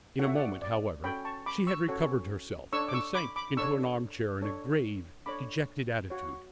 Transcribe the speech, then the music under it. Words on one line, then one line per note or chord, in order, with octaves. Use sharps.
In a moment, however, she had recovered herself, and sank into an armchair in a grave, dejected attitude.
C#4 F#4 A4 C#5 F#5
E5
D5 F#5
D5
C#4 F#4 A4 C#5 G5 B5
A5 C#6
B5 D6
C#6 E6
C#4 F#4 A4 C#5
D4 A4 C#5 C#6 E6
D6
C#6 E6
B5 D6
B5 D6
D4 A4 C#5 C#6 E6
D4 A4 C#5
D4 A4 C#5 B5 D6
F#4 C#5